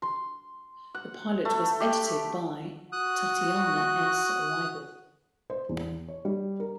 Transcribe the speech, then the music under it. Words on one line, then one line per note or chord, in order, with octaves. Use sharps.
The pilot was edited by Tatiana S. Riegel.
C6
F#5
A3
G4
F#4 D#6 F#6
C5
E2
C#5
G3
A#4